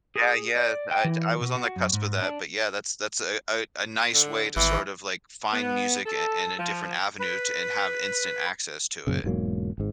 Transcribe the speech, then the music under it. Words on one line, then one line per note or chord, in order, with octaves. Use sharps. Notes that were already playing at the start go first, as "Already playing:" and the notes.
Yeah, yeah, I j I was on the cusp of that, but yeah, that's that's a a a nice way to sort of, like, find music i in a different avenue to, and have instant access to it.
G#4
D5
G5
E3
B2
F#4
F#2
G#2
D4
D3
G#1 E3
B3
A4
F3
B4
F#2 A#2 C#3
E1 G#2 F#3 A#3
G#1 G#2